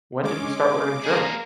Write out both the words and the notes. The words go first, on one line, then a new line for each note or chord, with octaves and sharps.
When did you start learning German?
G#3 C#4 D6
A#3 G#4 A#4